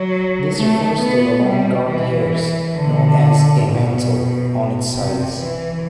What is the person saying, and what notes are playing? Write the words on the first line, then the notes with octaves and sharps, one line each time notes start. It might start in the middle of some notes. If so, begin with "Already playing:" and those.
This refers to the long guard hairs, known as a "mantle", on its sides.
Already playing: F#3
A3
B3
G3
E3
D3
B2
C3
E3